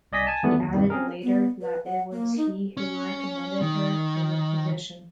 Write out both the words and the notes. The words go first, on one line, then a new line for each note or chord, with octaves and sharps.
He added later that it was he who recommended her for the position.
C2 D5 D#5 G#5 B6
G#5 A5
E2 D#3 A3 B3 D4
D#2 F#3
G2 C3 D#3 G3
C4 C#4 G#4 A#4
B3
B4
F#5
A#3
D#4
C#4
D#3